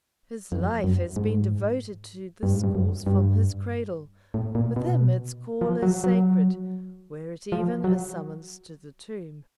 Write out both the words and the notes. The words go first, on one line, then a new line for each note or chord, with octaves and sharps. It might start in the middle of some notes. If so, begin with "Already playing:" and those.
His life has been devoted to this cause from his cradle; with him its call is sacred, were it even a summons to the tomb.
F2
F#2
G#2
G2
G#2
G2
F#2
G2
A2
A#2
B2
F3
F#3
F#3
F3
F#3